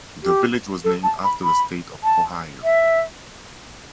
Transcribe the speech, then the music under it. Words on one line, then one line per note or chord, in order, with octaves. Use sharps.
The village was named after the state of Ohio.
G4
A4
A5
B5
B5
A5
E5